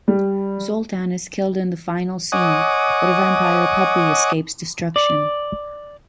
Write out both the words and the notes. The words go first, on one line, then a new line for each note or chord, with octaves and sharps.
Zoltan is killed in the final scene, but a vampire puppy escapes destruction.
G3
C#5 D#5 F#5 G#5 D6 D#6
D5